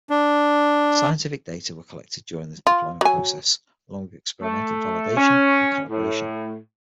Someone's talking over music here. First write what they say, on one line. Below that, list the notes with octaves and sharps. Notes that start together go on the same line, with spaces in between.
Scientific data were collected during the deployment process, along with experimental validation and calibration.
D4
F4
F#3 G#5
A3
C#4
A2